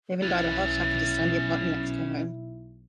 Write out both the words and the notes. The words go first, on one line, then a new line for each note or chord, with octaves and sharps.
Davern died of a heart attack at his Sandia Park, New Mexico home.
B1 C#4 E4 B4 A6